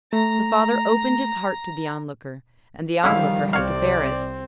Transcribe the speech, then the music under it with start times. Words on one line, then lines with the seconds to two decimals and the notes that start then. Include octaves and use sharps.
The father opened his heart to the Onlooker--and the Onlooker had to bear it.
0.13 A3 A#5
3.04 D3 D#3 F3 G3 C#4 E4 F5
3.53 C2 C3 C4 C#5 D5 F5